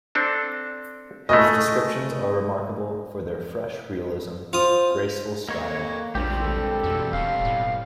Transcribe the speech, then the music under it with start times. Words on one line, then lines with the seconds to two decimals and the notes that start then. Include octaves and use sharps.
His descriptions are remarkable for their fresh realism, graceful style and humour.
0.15 C4 D4 A4
1.29 C#3 G#3 A3 D#5
4.53 F4 C5 D#6
5.49 A#3 A4 C#5 D#5
6.15 A#1 G3 G#3 C4 D4 F4 G4
6.41 A4
6.84 F2 B2 E3 F#4
7.13 D#1 B2 A4 F5
7.45 A2